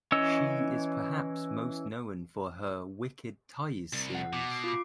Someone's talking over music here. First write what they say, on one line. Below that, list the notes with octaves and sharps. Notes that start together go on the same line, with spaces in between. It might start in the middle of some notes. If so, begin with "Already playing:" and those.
She is perhaps most known for her "Wicked Ties" series.
E3 C#4 C#5 D#5 E6
C2
F#5
B2 D6
C7 D7
F4 D6